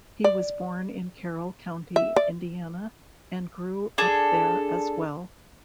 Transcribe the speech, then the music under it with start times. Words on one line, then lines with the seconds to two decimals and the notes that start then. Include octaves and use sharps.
He was born in Carroll County, Indiana and grew up there as well.
0.24 D5
1.96 E5
2.16 D5
3.98 D4 G#4 A4